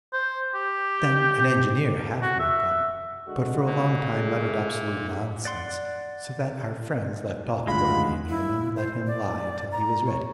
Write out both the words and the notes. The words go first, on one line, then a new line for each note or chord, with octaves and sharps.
Then an engineer half woke up, but for a long time muttered absolute nonsense, so that our friends left off worrying him and let him lie till he was ready.
C5
G4
F#4
E5
D3 G#3 F#4
A#2 A#3
G#3 A3
D5 F#5 C6
G#1 D2 G#2 G#3 F4 F#5 B5
E4
C5
D5
A#5
C#5